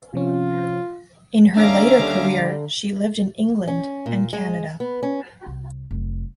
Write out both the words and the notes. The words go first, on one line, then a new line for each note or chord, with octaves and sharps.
In her later career she lived in England and Canada.
C3 F3 C#4 F4
D#2 C#4 D4 E5 F5 A#5 D6
D3 G3
C#4
A#2
G#3
B3
C#4
C2
F1 F#3